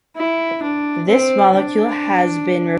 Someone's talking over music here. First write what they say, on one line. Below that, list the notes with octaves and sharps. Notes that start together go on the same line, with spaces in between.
This molecule has been reported to have broad-spectrum antimicrobial activity that includes human pathogens.
E4
D4
C4
D4